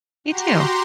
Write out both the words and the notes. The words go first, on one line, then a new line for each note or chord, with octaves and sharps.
Me too.
F#4 G4 A#5 C6